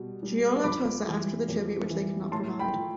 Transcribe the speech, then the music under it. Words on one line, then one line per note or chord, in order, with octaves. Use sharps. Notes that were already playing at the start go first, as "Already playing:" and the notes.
Giolla Tosa asked for tribute which they could not provide.
Already playing: B2 G3
G3
F2 B5 D6
E3 G3
F2
E3 G3
A2 A5 C6
G5 B5
F3